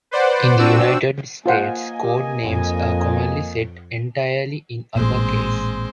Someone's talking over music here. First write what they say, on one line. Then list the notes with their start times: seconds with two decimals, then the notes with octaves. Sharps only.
In the United States code names are commonly set entirely in upper case.
0.11 B4 C5 D5 F#5
0.59 C4 D4 F#4 E6
1.46 A#3 F4 C5 D#5 F#5 G#5
2.03 G4
2.42 F2
4.96 A1 A#2 G#3 C4